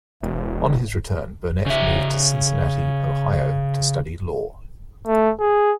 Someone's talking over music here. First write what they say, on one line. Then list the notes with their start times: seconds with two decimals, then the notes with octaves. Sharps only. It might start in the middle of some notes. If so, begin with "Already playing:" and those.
On his return Burnet moved to Cincinnati, Ohio, to study law.
0.22 E1
1.66 C#3 E5
5.07 A3
5.40 G#4